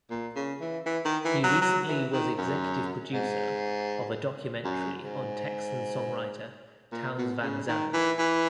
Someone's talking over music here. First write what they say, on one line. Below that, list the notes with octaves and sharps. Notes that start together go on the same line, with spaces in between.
He recently was executive producer of a documentary on Texan songwriter Townes Van Zandt.
A#2
C#3
E3
E3
D#3
E3
F#3
F#3
E3
D#3
F#2
G#2
F#2
G#2
A#2
B2
C#3
D#3
E3
E3